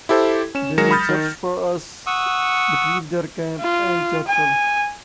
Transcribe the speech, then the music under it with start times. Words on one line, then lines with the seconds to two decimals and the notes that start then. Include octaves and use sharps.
They will search for us between their camp and Churchill.
0.09 E4 G4 A4 C5
0.55 C#4 E7
0.78 F#3 G#3 A#4 A#6 C#7 E7
0.91 B5 D#6 F6 G6 A6
1.09 D#3
2.07 F#5 C#6 D#6 E6
3.60 F4
4.28 G#5